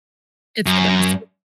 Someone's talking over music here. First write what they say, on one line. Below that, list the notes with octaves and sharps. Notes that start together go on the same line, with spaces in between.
It's the best.
F#2